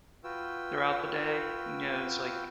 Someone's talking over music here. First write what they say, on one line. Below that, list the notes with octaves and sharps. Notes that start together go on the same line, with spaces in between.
throughout the day, you know, it's, like,
F4 F#4 B4 G5 E6